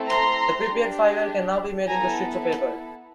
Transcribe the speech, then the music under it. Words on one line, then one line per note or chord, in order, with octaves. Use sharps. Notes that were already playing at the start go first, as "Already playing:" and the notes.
The prepared fibre can now be made into sheets of paper.
Already playing: A3 C4 E4 A4
A#5 C6
D4 G4
B3 E4 A4 G#5 A#5